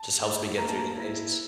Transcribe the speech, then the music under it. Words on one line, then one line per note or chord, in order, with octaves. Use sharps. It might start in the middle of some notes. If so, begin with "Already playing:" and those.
just helps me get through the days.
Already playing: A5
A3
A#3 A#5
A5
A#5
E4